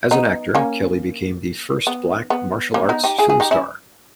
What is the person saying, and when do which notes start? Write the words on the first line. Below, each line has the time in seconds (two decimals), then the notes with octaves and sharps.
As an actor, Kelly became the first Black martial arts film star.
0.11 B3 D#4
0.55 A#3 C#4
1.87 B3
2.30 B3
2.74 A#3 C#4
2.89 B3 D#4
3.04 D#4 G4
3.18 E4 G#4
3.29 E4 G#4
3.40 D#4 G4
3.51 C#4 E4